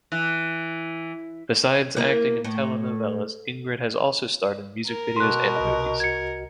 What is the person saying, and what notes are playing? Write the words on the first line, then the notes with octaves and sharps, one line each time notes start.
Besides acting in telenovelas, Ingrid has also starred in music videos and movies.
E3
A#3 E4 A#4
A2
A#4
B2 C6 F#6
C2 F#4 D#5
G#6 C#7